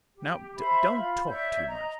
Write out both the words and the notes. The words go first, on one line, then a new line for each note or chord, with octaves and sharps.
Now don't talk too much.
G4
C5 E5 B5
F4 B5
C#5 D5 E5 G6
D#5 A#5